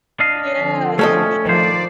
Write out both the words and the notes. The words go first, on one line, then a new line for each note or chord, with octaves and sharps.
Yeah, it's for sure.
D4 D#5 F5
D3 F3 C4
A3 C#4 A4 D#5
D#3 F3 C5 D5